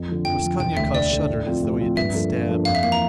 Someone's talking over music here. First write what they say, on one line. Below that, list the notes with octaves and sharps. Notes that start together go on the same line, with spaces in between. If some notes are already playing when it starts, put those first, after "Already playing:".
Raskolnikov shuddered as though he had been stabbed.
Already playing: F2
D3 F3
F2 G5
D3 F3
E1 G5
D2 D3 E5
E1 D5
D2 D3
A2
F3 C4 F4
A2
F3 C4 F4
G2 E5
F3 A#3 D4 A4
G2
F3 A#3 D4 A4
F2 F5
E5
E3 A#3 F5
A#5